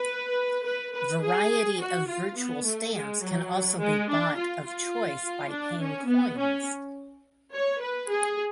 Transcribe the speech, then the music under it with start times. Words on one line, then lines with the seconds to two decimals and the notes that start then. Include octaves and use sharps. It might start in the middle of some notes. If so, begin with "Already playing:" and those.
Variety of virtual stamps can also be bought of choice by paying coins.
Already playing: B4
0.64 B4
0.94 B4
1.22 G#4
1.80 F#4
2.07 F4
2.36 B3
2.65 A3
2.94 G#3
3.22 F#3
3.80 G#3
4.08 D4
4.37 F4
4.65 F4
5.51 D4
5.80 C#4
6.08 B3
6.37 C#4
7.52 C#5
7.80 B4
8.09 G#4